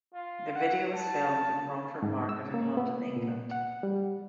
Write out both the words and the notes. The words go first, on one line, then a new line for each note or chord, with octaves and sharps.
The video was filmed in Romford Market in London, England.
F4
F#5
A5
G#2
E6
A#3
B3
A#2
F#5
G3